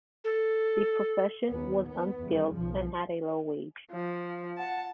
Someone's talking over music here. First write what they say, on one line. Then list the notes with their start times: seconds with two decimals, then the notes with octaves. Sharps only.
The profession was unskilled and had a low wage.
0.24 A4
1.48 D#2 B3
1.86 B3
2.22 E2 C#3 G3
2.54 B1 F3
3.92 F3
4.58 F#5 A5